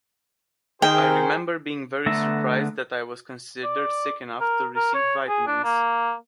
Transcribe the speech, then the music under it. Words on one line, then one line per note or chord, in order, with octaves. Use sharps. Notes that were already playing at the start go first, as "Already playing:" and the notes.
I remember being very surprised that I was considered sick enough to receive vitamins.
D#3 G#4 A#4 C5 G5
D3 A3 B3 E5 A#5
D5
A#4
A#4
C#5
G#4
D4
A#3